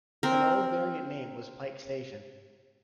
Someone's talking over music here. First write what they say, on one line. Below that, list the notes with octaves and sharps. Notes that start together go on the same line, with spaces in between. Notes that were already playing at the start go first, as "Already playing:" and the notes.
An old variant name was Pike Station.
C4 A#4